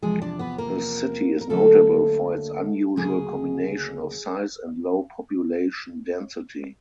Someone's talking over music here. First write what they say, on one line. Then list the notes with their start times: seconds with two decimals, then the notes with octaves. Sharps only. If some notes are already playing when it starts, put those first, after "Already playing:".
The city is notable for its unusual combination of size and low population density.
0.02 E2 C3 F3 G#3 G#4
0.22 D4 D5
0.39 B3 B4
0.58 A#3 A#4
1.41 A#4
1.50 D2 D3 F#3 A3 A#3 A4
2.97 D2 C#3 F#3 G#3 A#3 G#4